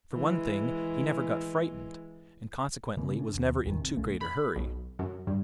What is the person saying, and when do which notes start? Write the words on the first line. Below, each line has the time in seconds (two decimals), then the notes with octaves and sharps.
For one thing he never got frightened, and consequently was never in too great a hurry.
0.13 E3 G#3
2.97 C#3 G#3 A#3 C4
3.18 C3 C#4 D4
3.33 D#2
3.65 G#1 D#2 D#3
3.79 C3
3.96 B1 A3 C#4
4.21 B5
4.56 B1
4.99 F#2
5.27 G2